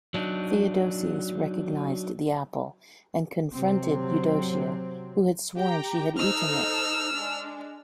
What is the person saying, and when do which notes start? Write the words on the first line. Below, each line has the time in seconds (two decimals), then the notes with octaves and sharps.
Theodosius recognized the apple and confronted Eudocia who had sworn she had eaten it.
0.14 F#3 D4 D#4
3.53 C3 F#3 C4
5.56 G4 G5 A#5
6.17 D#4 A4 C5 E6 F6
7.13 G#3 D4